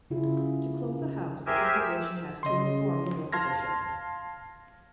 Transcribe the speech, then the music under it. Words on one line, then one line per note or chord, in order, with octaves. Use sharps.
To close a house, the congregation has to inform the local bishop.
C#3 C#4 E4 F4 G#4
G4 G#4 A#4 C5 E5 G#5
E6
C#3 D#5 C6
F5 A5 C6 F6 G#6 A#6